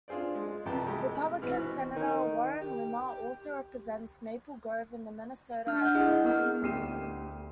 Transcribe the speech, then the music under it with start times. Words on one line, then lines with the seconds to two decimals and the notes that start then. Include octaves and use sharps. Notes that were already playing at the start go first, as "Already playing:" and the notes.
Republican senator Warren Limmer also represents Maple Grove in the Minnesota Senate.
0.08 D4 F4 G#4 C5 D5
0.35 G#3
0.66 C2 F2 B3 G5 A5 A#5
0.87 G#3 A3 G4
1.42 B2 E3 C4 B4 F6
1.96 D#3
2.61 G4
5.67 D4 F6
5.81 F#5 G6
5.94 E4 G#4 D#5 F#5
6.25 B3 A#4 F6
6.62 D2 G4 C7 D#7 E7